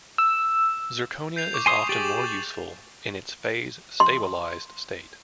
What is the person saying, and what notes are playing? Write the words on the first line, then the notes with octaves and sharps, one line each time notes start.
Zirconia is often more useful in its phase 'stabilized' state.
E6
G6 C7 F7
C#6 D6
G#5 C6 D#6
G4 G#4 A6 F7 F#7
E7 F#7
C6